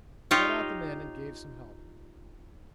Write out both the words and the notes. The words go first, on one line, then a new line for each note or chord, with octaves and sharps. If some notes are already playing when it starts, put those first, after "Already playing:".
We got out the men and gave some help.
D#4 F4 G4 C#5